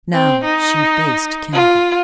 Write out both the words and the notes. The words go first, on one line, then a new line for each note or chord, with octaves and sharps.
Now she faced Kennedy.
C4
D#4
F4